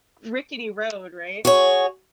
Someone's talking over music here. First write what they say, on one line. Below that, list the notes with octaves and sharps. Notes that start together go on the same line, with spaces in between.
rickety road, right?
F#4 G#4 C#5